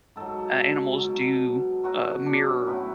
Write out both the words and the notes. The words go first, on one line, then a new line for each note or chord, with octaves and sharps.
a animals do, uh, mirror,
G#2 F#3 A4
B2 F#3
B2 F#3 F#4
F#4
D4
C#4
A2 F#3 E4